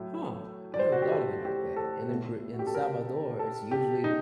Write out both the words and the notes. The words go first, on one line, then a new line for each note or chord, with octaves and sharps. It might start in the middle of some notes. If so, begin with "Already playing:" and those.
Huh, I never thought of it like that, and in Br in Salvador, it's usually
Already playing: A2 F#3 A3
D5
C5
F#4
G4
A4
G4
A4
A2 A3
F#4
G4
A4
A#4
A4
G4
D#4